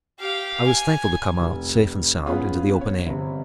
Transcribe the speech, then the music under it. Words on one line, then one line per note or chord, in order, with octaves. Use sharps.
I was thankful to come out, safe and sound, into the open air.
G4 F5
G#5
F1
B3 C#4 F4 G#4 F5
C#5
G1 C3